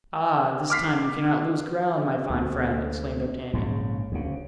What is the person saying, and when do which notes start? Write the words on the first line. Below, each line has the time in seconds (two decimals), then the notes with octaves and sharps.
"Ah, this time you cannot lose ground, my fine friend!" exclaimed D'Artagnan.
0.70 D6 F6 B6 C7
2.30 D2
3.53 A#1 G#2 C#3
4.12 D2 C#3